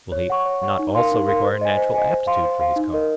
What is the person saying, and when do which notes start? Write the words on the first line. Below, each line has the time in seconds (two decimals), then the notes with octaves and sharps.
Will he not also require natural aptitude for his calling?
0.12 C#5
0.30 F#5 C#6
0.46 C#5
0.62 F#5 C#6
0.79 D#4
0.95 A#4 F5 C6
1.12 D#4
1.28 A#4 F5 C6
1.44 C5
1.61 D#5 G#5
1.77 C5
1.94 D#5 G#5
2.11 C5
2.27 F5 C6
2.44 C5
2.60 F5 C6
2.76 D#4
2.93 A#4 D#5